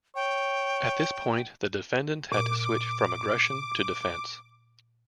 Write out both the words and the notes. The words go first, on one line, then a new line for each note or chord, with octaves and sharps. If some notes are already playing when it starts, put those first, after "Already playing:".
At this point, the defendant had to switch from aggression to defence.
C#5 G5
A#2 D6